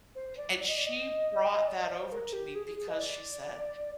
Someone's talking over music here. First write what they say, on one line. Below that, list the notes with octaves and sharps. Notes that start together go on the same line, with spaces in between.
and she brought that over to me because she said,
C5
D5
D#5
D5
D#5
D5
D#5
D5
C5
A#4
G4
G#4
G#4
G#4
D#5
D5